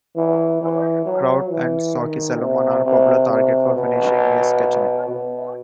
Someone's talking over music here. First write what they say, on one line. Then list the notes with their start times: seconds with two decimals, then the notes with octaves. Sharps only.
Trout and sockeye salmon are popular targets for fishing in Stehekin.
0.17 E3
0.61 E3
1.06 F#3
1.50 E3
1.95 D#3
2.41 C3
2.85 C3
3.29 C3
3.75 B2
5.09 B2